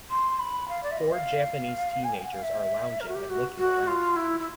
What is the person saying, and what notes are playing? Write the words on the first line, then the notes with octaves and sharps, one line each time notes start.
Four Japanese teenagers are lounging and looking around.
C6
B5
F5
D5
E5
D#5
F5
G#5
G5
F#5
F5
E5
A#4
F#4
G4
F#4
F#4
F4
E4
E4